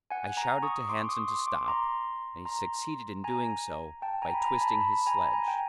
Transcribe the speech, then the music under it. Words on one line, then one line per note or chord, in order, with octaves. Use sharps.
I shouted to Hanssen to stop, and he succeeded in doing so by twisting his sledge.
F#5 G#5
G#5 A#5
C#6 D#6
C6 D6
C#6 D#6
C6 D6
C6 D6
A#5 C6
A#5 C6
G#5 A#5
G5 A5
G#5 A#5
B5
G#5 A#5
A5 B5
A5 B5
B5
G#5 A#5
G#5 A#5
G5